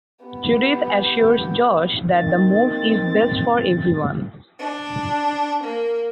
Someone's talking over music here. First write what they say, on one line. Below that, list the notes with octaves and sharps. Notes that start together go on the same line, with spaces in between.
Judith assures Josh that the move is best for everyone.
B3 G4
D#3 A#3 C4 A6
D4
A#3